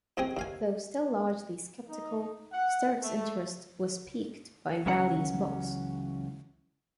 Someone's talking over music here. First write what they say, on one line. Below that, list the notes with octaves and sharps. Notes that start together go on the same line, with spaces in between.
Though still largely sceptical, Sturrock's interest was piqued by Vallee's books.
D#2 C4 G#4 G5 D#6
D#2 F5 G#5
D#4
F#5
A3
C#2 E3 F#3 C#4 F#5 A#5